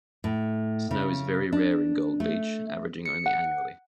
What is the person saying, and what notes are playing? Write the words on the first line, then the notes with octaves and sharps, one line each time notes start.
Snow is very rare in Gold Beach, averaging only annually.
A2
C#3
D4
A3
C#7
F#5